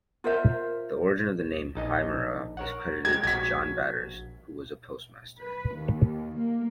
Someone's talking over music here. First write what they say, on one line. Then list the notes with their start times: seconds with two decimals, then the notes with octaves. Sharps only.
The origin of the name Hymera is credited to John Badders, who was postmaster.
0.24 F4 A#4 C5 E5
1.75 A#1 D#4 D#5
2.57 A#4 C#5 F#5
3.05 G#3 G4 G#6
3.23 A#1 F#4 G#6 B6
5.39 B4
5.75 D#2
6.37 A#3